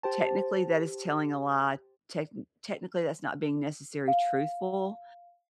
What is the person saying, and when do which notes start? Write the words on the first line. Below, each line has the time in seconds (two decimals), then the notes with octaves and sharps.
technically, that is telling a lie, techni technically, that's not being necessary truthful,
0.03 G4 C5 A5
4.08 F5